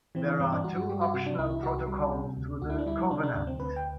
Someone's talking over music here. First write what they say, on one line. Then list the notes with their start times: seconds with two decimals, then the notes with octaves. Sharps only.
There are two Optional Protocols to the Covenant.
0.15 E3 C4
0.28 D4
0.39 G2 C4
0.52 D4
0.64 G2 F#4
0.77 F#4
0.89 G3 G4
1.01 F#4
1.14 C3 F#4
1.26 D4
1.38 C2 E4
1.51 E4
1.63 C2 F#4
1.88 G3
2.13 C3
2.37 D2
2.62 D2 F#4
2.70 E4
2.78 D4
2.86 G3 E4
3.11 C3 D4
3.23 D4
3.35 D2 D4
3.47 C4
3.60 D2 B4
3.76 G5